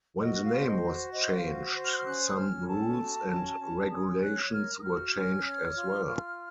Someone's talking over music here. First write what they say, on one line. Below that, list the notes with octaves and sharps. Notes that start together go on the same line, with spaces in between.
When the name was changed, some rules and regulations were changed as well.
F#4 D#5
F5
C5
D#5
F#4
C5 D#5
F5
F#4
C5
F6
F6
C#4 F#6
D#6
C#4 F6
A4 A5
F#4
C#4
C#4
C#4 D#6
C#5 F#6
A#4 F6
D#6
F#4 F6
C#4
C#5
F4
F4